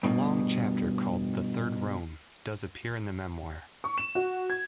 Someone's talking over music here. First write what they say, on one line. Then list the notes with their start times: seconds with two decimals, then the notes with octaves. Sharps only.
A long chapter called "The Third Rome" does appear in the memoir.
0.03 G2 B2
3.84 C#6
3.98 E7
4.15 F#4
4.50 G#6